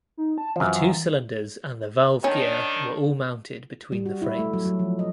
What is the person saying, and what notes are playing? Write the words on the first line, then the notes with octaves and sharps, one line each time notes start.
The two cylinders and the valve gear were all mounted between the frames.
D#4
A5
F#2 E3 F3
D#3 C#4 D4
G3
F#4
E4
A3
F#3
F#3
F3
D#5